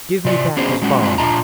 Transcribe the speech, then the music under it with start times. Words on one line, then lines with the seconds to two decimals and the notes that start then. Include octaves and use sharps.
Give me back his bond.'
0.25 C3 F4 D5
0.57 B3 C#4 D4 F#4 G#4 C5
0.82 F#3 G#3 C#4 F#4
1.02 G#3 C4 D4 F4 F#4
1.18 A#2 D4 F4 D#5 A5 A#5